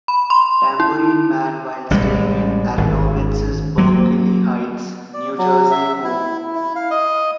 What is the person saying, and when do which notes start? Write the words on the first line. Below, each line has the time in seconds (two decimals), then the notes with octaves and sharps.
Tambourine Man while staying in Aronowitz's Berkeley Heights, New Jersey home.
0.08 B5
0.30 C6
0.80 E4
1.91 A1 C3 G3 G#3
2.78 G#1
3.78 F#3 A#3
5.14 D5
5.38 F#3
5.71 E5
6.04 E4
6.55 E4
6.75 F5
6.91 D#5